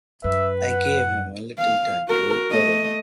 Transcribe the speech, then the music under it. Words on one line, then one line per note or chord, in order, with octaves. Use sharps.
I gave him a little time to recover.
F#2 B4 E5
F#5
F5
F#4 A#4
A3 D#5